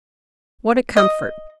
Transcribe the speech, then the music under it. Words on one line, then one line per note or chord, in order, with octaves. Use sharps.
What a comfort.
D#5